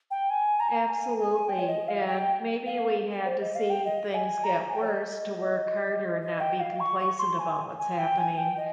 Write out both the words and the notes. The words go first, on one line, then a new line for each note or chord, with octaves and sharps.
Absolutely, and maybe we had to see things get worse to work harder and not be complacent about what's happening
G5
G#5
A#5
G#5
A#5
G#5
G#5
G5
C#5
D#5
F5
G5
F5
C5
D#5
F5
G5
D#5
G#5
A#5
G#5
G5
C#5
D#5
D#5
G5
F5
C#6
C#6
C6
G#5
G#5
G5
G#5
G5
D#5